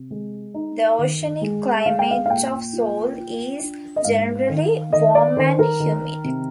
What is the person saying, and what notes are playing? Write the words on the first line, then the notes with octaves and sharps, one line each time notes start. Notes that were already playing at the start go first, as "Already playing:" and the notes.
The oceanic climate of Soule is generally warm and humid.
Already playing: C3
G#3
D#4
D#3
G#3
G#3 F5
G5
F5
F5
A#2 G5
F4
F4
D4
D#5
G#2 F5
D#3
D#3 D#5
D5
D#3 C5
A#4
D#3
C3